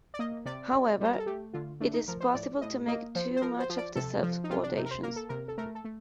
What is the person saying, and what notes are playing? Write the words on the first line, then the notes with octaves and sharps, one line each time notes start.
However, it is possible to make too much of the self-quotations.
D5
A#3 D#5
C3 D5
C3
G3 C5
A#4
A4
A3 G4
D3 F4
A3 D4
D#4
F3 A#4
C5
A2 D5
A2 D#5
A#3 D#5
F3 C5
C5
F3 A#4
C5
F3
D5
C3 A4
F3
D#4
C3 F4
D4
C3 D#4
A#4
C5
A#3 A#4
A4
C3 A#4
A4
A3 A#4
A4
A3